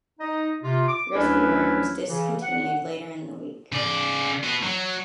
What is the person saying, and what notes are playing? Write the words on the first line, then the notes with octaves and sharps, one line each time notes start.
Rescue work was discontinued later in the week.
D#4 D#5
C3 F4
D6
D2 F#3 C#4 D4 E4 B4
C#3 E3
F#5
C#3 D5
B3 F#4
F#3